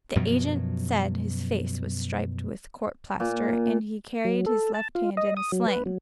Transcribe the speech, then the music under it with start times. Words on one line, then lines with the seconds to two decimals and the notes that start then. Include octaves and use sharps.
The agent said his face was striped with court-plaster, and he carried his left hand in a sling.
0.16 F#2 B2 F3 F#3
3.20 A#2
4.25 F#3
4.46 A4
4.74 A5
4.95 F4
5.17 D#5
5.37 D#6
5.52 F#3
5.67 B4
5.86 F#3